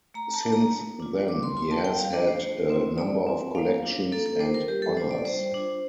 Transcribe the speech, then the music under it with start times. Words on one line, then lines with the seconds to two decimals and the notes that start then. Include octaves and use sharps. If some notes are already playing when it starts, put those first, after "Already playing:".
Since then he has had a number of collections and honors.
0.14 A3 A#5
0.34 A5
0.43 D4 F4
0.53 A#5
0.72 A3
1.00 D4 F4
1.28 G3 D6
1.43 C6
1.57 D4 F4 C6
1.71 A5
1.85 G3 G5
1.99 F5
2.13 D4 F4 D#5
2.27 C5
2.42 A3
2.70 C4 F4
2.98 A3 D5
3.27 C4 F4
3.55 A#3 F5
3.84 D4 F4
4.12 A#3 A4
4.26 A4
4.40 D4 F4 C5
4.54 A#4
4.68 G3 G4
4.82 A4
4.97 D4 F4 C5
5.11 D5
5.25 G3 C5
5.54 D4 F4